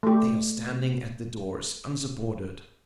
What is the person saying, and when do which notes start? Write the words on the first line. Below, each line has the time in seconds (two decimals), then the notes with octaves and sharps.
They are standing at the doors unsupported.
0.03 A3 G4